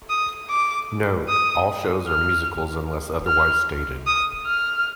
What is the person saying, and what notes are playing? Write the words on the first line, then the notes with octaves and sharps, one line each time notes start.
Note: All shows are musicals unless otherwise stated.
D#6
D6
D#6
F6
F6
D#6
F6